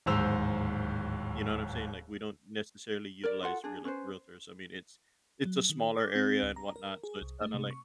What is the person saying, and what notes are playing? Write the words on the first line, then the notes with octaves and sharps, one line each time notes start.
you know what I'm saying, like, we don't necessarily utilize realer realtors, I mean, it's it's a smaller area and whatnot, so it's kinda like
D1 D#2 G#2 C5 E6 F7
A#4 C#5 D5
F4 F#4 A4 F#5
D4 G#4
C#4 B4 C5
F#3
D#3
D6
C4
C#2
A#5
A#4
G#4
C2
A3
C3
C#6